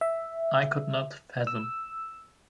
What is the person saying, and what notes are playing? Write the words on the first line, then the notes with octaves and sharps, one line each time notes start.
I could not fathom.
E5
E6